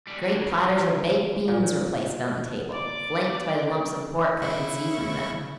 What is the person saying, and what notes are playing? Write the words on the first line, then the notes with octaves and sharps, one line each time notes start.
Great platters of baked beans were placed on the table, flanked by the lumps of pork that had seasoned them.
D3 G3
G3 D4
F#2 C#3
G2 A#5
A#2 F5
A#2
D5 D6
C#3 E4 C#6